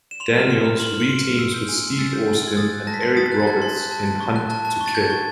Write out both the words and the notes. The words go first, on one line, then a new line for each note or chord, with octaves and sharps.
Daniels re-teams with Steve Austin and Eric Roberts in "Hunt to Kill".
E7
C6 F7
F6
C6
F6
C6 F#7
F6
C#7
C6 D7
F6
E6
G6
G#5
C6
E6 A6
G6
G#5
C6 G#6
D#6 A6
F#6
A5 A#6
B6
C6 A#6
D#6 A6
F#6
A6
A5 G#6
C6
F#6
A5
A5
C#6
F#6
A5
A5
C#6
A6
G6 G#6
C#6